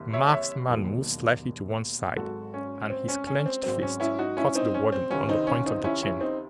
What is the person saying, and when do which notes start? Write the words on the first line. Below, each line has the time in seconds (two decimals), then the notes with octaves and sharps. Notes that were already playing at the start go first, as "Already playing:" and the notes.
The masked man moved slightly to one side and his clenched fist caught the warden on the point of the chin.
Already playing: F#1 C3 D#3
0.13 C#5 E5
0.32 C#5 E5
0.69 E1 D#2 D#3 F#3
2.17 G#1 G#2 F#3 F#4 A4
2.54 C#4
2.90 C4
3.08 C#4
3.27 C#4
3.46 C4
3.63 G#1 G#2 F#3 C4
3.82 C#4
4.00 C#4 E4
4.19 D#4 F#4
4.37 C#4 E4
4.55 C4 D#4
4.74 C#4
4.92 C4
5.11 C#2 C3 D#3 C#4
5.29 C4 D#4
5.47 C#4
5.66 C4 D#4
5.84 C#4 E4
6.02 C#4 E4
6.21 C4 D#4